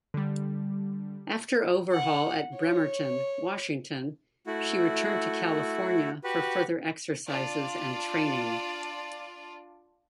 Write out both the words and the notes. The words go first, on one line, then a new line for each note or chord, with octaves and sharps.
After overhaul at Bremerton, Washington, she returned to California for further exercises and training.
D3 G3
F#5
C#5
A3 E4 F#4
F#4 G4 B4
D4 F4 D5